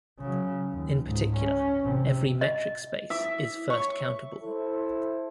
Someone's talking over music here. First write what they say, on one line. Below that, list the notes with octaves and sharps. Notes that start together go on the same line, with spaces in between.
In particular, every metric space is first-countable.
C#3 F#3
D#2
C#2 G#2
C#4
A1 C3
D#5
E4 E5 D6
C#5 C#6
E4 A4 C5